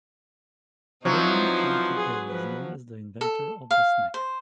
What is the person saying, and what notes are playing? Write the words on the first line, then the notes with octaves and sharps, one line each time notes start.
Milon Kanti Dey is known as the inventor of the snack.
F3 F#3 C4 D#4 E4 B4 F#5 C6
G#4
F3 B4
A4
F5
C5